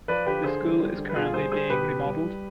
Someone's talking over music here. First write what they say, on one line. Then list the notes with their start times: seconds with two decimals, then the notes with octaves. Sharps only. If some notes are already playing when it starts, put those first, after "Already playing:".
The school is currently being remodeled.
0.08 F3 B4 D5
0.26 D3 G4 B4
0.44 D3 G#4 C5
0.62 G3
0.80 G3
0.98 D3
1.09 B4
1.16 B2 F4 G#4
1.34 G3 G#4 C5
1.52 G3 G#4 C5
1.69 B2 G4 B4
1.88 B2
2.06 G3
2.23 G3